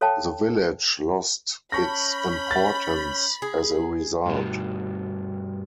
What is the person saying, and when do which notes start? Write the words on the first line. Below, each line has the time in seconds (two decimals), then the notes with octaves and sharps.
The village lost its importance as a result.
0.01 A4 C#5 F5 G5 A5
1.72 C#4 A5 B5 C#6 G6 A#6
2.51 A6
3.42 G#4
4.26 G2 B2